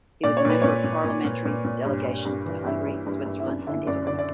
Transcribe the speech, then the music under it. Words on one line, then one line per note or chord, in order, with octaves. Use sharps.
He was a member of parliamentary delegations to Hungary, Switzerland and Italy.
A#2 D5
C#5
A#2 B4
A#2 C#5
A#2
A#2
A#2
A#2
A#2
G2
G2
G2
E3
G2 E4
G2
G2
G2
E4
F#2 D4
D3 E4
F#2 D5
D3 D5
D5